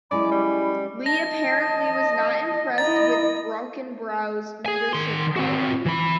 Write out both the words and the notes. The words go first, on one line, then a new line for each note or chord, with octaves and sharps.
Lee apparently was not impressed with Brockenbrough's leadership qualities.
F#3 G#3 C#4 E4 D5 G#5 B5
G3
D#5 A5 A#6
E4 D#5 A#5 A6
G#4 G#5
D#3 C6
C4 F#4
E3 B5